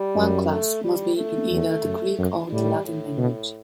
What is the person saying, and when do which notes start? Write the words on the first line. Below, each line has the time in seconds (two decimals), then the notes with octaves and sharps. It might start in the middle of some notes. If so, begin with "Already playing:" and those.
One class must be in either the Greek or the Latin language.
Already playing: G3
0.16 F#2
0.50 A3
0.84 G3
1.16 A3
1.51 E2
1.84 F#2
2.18 F#2
2.51 A2 G3
2.85 A2
3.18 B2